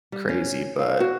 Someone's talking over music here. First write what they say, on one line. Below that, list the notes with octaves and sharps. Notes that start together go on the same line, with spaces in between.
crazy, but
G3
C#4
F5
F#4